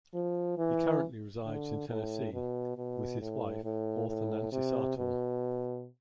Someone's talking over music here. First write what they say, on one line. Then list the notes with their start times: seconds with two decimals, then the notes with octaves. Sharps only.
He currently resides in Tennessee with his wife, author Nancy Sartor.
0.14 F3
0.58 E3
1.46 D3
1.89 A2
2.33 B2
2.77 B2
3.21 A2
3.64 A2
4.08 A2
4.52 C3
4.97 B2